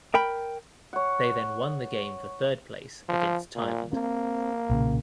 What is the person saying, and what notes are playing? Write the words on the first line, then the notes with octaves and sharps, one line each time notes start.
They then won the game for third place against Thailand.
A#4 G5 B5
C#5 F#5
F3
A#2
A#3 C4
B1 A#2 C#3